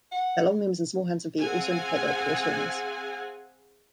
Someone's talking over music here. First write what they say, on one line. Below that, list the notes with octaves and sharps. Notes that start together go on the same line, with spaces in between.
Their long limbs and small hands and feet also indicate they were poor swimmers.
F#5
C4 G#4 F5 F#5 G#5